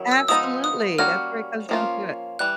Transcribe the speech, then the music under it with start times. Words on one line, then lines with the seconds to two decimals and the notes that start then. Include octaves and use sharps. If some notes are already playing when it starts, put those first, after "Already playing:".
Absolutely, that's where it comes down to it.
Already playing: D#3 F#3 C#4 E4
0.11 E6
0.28 F3 G#3 B3 D#4 D#6
0.64 D#6
0.98 G3 A#3 C#4 F#4 F6
1.69 F3 A#3 C#4 F4
2.39 E3 G3 F#6